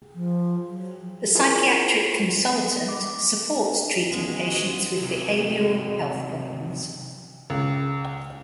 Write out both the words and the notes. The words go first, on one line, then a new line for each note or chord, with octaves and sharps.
The psychiatric consultant supports treating patients with behavioral health problems.
F3
F#3
E4 F4 G#4 A#4 C5
B3
D6
A#1 D#3 E3 G#3 A#3 B3 C#4 F#4
C3 F#3
C#2